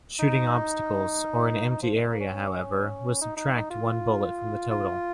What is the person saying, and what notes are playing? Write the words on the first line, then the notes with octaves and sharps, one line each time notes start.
Shooting obstacles, or an empty area, however, will subtract one bullet from the total.
D#4
D#4
F3
D#3
A#3
C#4
D#4
D#4
D#4
F4
F4